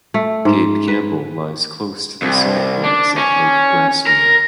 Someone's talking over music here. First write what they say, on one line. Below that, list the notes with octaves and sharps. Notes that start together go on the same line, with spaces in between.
Cape Campbell lies close to the salt works at Lake Grassmere.
A3
G#2
B4
C2
D4
C#4
A#4